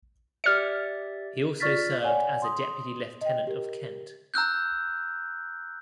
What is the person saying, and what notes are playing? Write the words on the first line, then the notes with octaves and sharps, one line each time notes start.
He also served as a Deputy Lieutenant of Kent.
G4 D5 E5 F6 C#7
F4 D5 C#6 F6 A6 B6
C#5 D5 F#5 G#5
C6 D#6
D#5 G5
G4 A#4
A#5 E6 F#6 G6